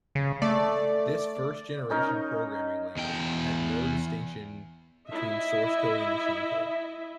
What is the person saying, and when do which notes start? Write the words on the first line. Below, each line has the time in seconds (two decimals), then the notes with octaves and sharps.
This first-generation programming language had no distinction between source code and machine code.
0.15 C#3
0.42 A3 D5
1.90 C#4 D#4 A#4
2.97 E2 G5
5.08 E4 D#5 E5